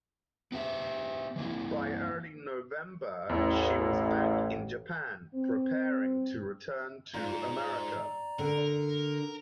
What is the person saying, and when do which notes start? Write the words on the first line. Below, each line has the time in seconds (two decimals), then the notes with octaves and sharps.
By early November, she was back in Japan, preparing to return to America.
0.52 B3 G4 E5
1.36 E3 A#3 E4
3.29 A1 E2 B3 E4
5.35 C4
7.14 G#2 F4 D5 A#5
8.39 D3 A#4